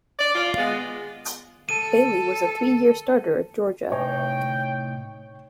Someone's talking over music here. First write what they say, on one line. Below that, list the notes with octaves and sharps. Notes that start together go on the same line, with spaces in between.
Bailey was a three-year starter at Georgia.
D5
F4
G#3 B3
A4 D#7
A2 C3 D#4 C#5 G5